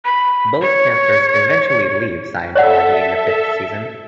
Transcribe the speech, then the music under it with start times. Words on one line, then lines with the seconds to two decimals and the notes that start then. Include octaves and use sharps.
Both characters eventually leave Scientology in the fifth season.
0.05 B5
0.61 C#5
2.55 A4 C#5 D5 E5 F#5